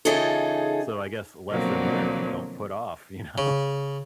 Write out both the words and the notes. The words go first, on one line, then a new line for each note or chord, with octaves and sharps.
so I guess lesson learned, don't put off, you know,
C#3 E3 D#4 F4 G#4 A4
B2 D3 F3 F#3 A#3 C4
C#3